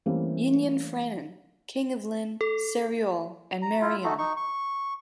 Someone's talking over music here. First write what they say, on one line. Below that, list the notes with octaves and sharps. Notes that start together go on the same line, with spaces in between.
Einion Frenin, king of Llyn, Seiriol, and Meirion.
E3 G3 A3 A#3 C4 C#4
A4
A#5
E4 F4
A3 D#4 F#4 A4
D#4 C#6
C#6